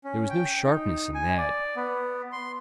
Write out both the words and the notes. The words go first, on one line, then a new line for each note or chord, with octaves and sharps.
There was no sharpness in that.
C#4
G5
D#4
G#5
D5
B3
C6